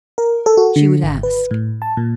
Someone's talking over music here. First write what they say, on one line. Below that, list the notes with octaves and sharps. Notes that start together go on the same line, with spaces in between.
She would ask.
A#4
A4
F#4
D3
G#1
B4
A2
A5
A#2